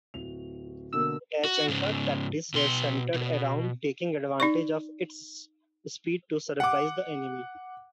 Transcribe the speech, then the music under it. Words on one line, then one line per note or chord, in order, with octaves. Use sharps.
Tachanka tactics were centered around taking advantage of its speed to surprise the enemy.
D1 F7
B2 D3 A#3 E6
F#4
G#2 C#3
B2 C6
B2
D#4 D5 C#6
F#5 D6